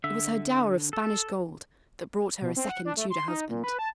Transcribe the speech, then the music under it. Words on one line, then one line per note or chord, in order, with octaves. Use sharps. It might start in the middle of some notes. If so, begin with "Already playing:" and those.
It was her dower of Spanish gold that brought her a second Tudor husband.
D3 E5
A4
B2
C4
F#5
D4
A3
C6
D#4
A#2
B4
A5